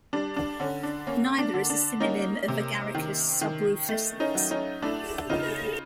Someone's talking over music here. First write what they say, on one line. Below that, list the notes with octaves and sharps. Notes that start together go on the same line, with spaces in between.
Neither is a synonym of "Agaricus subrufescens".
G3 D4
D4
D3 C#4
D4
A#3 C#4
D4
D3
D4
A#3 C#4 D#4
C3
D#3
D#3
A3
C#4 D#4
F#3
C#4 D#4
A3 D4 E4
C#3 D#4 F4